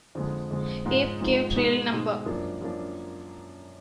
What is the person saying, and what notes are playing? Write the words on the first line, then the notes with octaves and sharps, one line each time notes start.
Ape Cave Trail No.
F2 D3 G#3
F2 D3 G#3
G#2 F3 G#3 D#4
G#2 F3 G#3 D#4
B2 G#3 D#4
B2 G#3 D#4
F#2 F3 A#3 D4
F#2 F3 A#3 D4